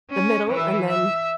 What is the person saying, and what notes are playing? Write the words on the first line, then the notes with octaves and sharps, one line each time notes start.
the middle and then
C#4
E3 E5
E5